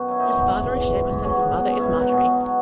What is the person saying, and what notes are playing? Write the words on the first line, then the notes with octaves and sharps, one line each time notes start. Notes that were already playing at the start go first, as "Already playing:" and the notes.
His father is Seamus and his mother is Marjorie.
Already playing: F#2 D#3 B3
F#3 E4
F#3 D#4
C#4
E3 B3
G#2
E3
E3
G#2
G#2
F#3 C#4
B2
B2
B2 C#4
B2 E4
D#4
F#3 F#4
B2 G#4
B2
F#3